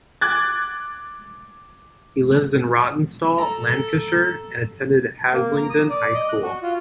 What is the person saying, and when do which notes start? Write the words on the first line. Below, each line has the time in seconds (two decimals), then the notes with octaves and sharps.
He lives in Rawtenstall, Lancashire, and attended Haslingden High School.
0.21 D6 F#6 G#6 A6
3.38 A4 A#5
5.32 A#3
5.58 A#5
5.70 D#6
5.89 D5
6.14 D#5
6.29 F#6
6.42 F#4
6.62 F4